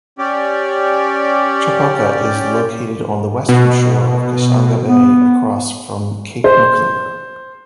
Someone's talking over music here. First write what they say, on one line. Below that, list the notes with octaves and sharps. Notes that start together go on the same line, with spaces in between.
Chipoka is located on the western shore of Kasangha Bay across from Cape Maclear.
C#4 G4 D5
B2
B3
C5